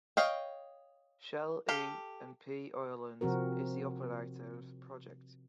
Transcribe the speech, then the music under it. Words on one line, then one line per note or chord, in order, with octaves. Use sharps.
Shell E and P Ireland is the operator of the project.
C#5 D#5 F5 G5
G4 A4 F5
C3 F3 C4 F#4 A#4